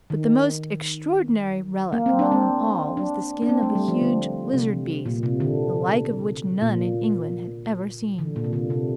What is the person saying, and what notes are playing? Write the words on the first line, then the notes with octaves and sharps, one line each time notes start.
But the most extraordinary relic among them all was the skin of a huge lizard beast, the like of which none in England had ever seen.
D#3
A#3
C4
D4
C4
D4
D4
C4
A3
G3
F3
D3
C3
A#2
C3
D3
A#2
D3
A#2
C3
D3
C3